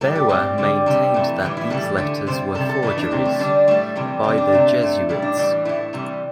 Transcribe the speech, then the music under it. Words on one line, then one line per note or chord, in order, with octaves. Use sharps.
Bower maintained that these letters were forgeries, by the Jesuits.
A2 G3 A4
G4
A2 G3 C4
D3 G3
C3 G3
C3 E3 A3
A2 E3 G3
E4
A2 E3 G3 A4
D3 A3
C3 G3 C5
C3 G3 A4
A4
A2 E3 A3 E4
D4
C3 G3 C4
A3
D3 G3 D4
A2 G3 A3
C3 E3 G3
D3 G3 C4
D4
C3 A3
C3 A3
A2 G3 E4
D4
A2 E3 G3
A2 A3 E4
C3 E3 G3